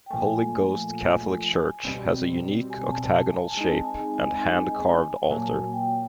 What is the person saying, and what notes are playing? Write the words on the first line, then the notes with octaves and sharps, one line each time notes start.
Holy Ghost Catholic Church has a unique octagonal shape and hand-carved altar.
G5
A#2 F3 A3 G#5
B2 G3 C4
G#5
A5
G#5
A5
G#5
G#3 C4 D#4 A5
G#5
G#5
G#5
A5
A#2 F#3 A#3 G#5
G#5
G5